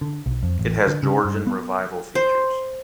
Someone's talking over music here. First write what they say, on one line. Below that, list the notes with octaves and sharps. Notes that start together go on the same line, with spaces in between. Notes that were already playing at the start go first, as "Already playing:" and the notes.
It has Georgian Revival features.
D3
B1
F2
A1
D3
C#3
G2
B3
C5